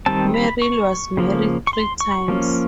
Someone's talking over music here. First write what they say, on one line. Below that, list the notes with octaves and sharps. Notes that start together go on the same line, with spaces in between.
Merrill was married three times.
D#3 G3 C4 A5
B5
C#6
C#3 F3 A#3
C#6
C6
C#6
F3 A#3 C#4